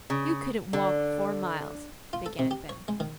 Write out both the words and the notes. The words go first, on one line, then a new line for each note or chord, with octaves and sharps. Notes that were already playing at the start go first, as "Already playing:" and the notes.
"You couldn't walk four miles," began Ben.
C#3
D3
F4
A4
C3
G4
C#5
G#3
D#3